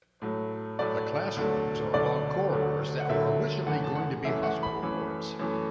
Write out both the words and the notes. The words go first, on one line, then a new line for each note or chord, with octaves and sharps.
The classrooms are along corridors that were originally going to be hospital wards.
A2 F#3 A3
A2 F#3 A3 D5
D2 D3 F#3 A3
D2 D3 F#3 A3 D5
D2 D3 F#3 A3
F#5
D2 D3 F#3 A3 E5
F#2 E3 A3 F#5
A5
F#5
F#2 E3 A3 E5
F#5
B5
F#2 E3 A3
F#2 E3 A3